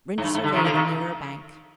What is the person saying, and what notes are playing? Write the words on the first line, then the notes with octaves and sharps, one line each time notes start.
Rynch surveyed the nearer bank.
G#2
G2
G#2
D3
C3 D#3
D3 F3
C3 D#3